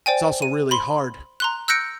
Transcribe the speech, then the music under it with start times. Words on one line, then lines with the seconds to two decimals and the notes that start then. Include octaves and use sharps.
It's also really hard.
0.06 C5 D5 G5 G#5
0.42 D#7
0.71 B5 C6
1.40 A#5 C6 F#6
1.68 E6 F#6 G6 A#6 C#7 D7